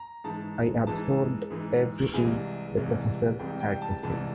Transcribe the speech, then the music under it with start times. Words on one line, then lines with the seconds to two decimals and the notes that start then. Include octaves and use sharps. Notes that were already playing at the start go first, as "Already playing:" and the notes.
I absorbed everything the professor had to say.
Already playing: A#5
0.24 G#2 E3 G#3 A5
0.87 G#2 E3 G#3 A5
1.50 G#2 E3 G#3
2.13 C2 C3 E3 G#3 G#5
2.77 C2 C3 E3 G#3
3.39 C2 C3 E3 G#3 G5
3.61 G5
3.82 A5
4.03 C2 C3 E3 G#3 A5